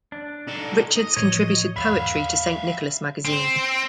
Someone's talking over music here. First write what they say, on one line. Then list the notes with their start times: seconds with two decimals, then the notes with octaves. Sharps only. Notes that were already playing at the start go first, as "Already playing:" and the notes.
Richards contributed poetry to "Saint Nicholas Magazine".
0.12 D4
0.47 D#4 A4
0.96 D#5
1.17 A2 E3 F3 C#5
1.76 E2 G#2 E5 F5 B5
3.25 C4